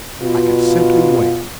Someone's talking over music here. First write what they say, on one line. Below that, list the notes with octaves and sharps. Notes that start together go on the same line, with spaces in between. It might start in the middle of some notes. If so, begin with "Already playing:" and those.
I could simply wait.
B2 F4